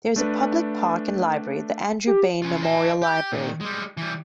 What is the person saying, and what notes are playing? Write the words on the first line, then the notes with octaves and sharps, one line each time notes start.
There is a public park and library, the Andrew Bayne Memorial Library.
A3 D4 B4
G4
C#4 F4
D#5 A5
G4
A#2 D#3
G3 G#3
E3 G3